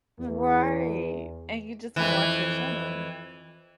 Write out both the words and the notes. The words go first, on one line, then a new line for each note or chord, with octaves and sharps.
Right, and you just wanna watch your show.
E2
F2 E3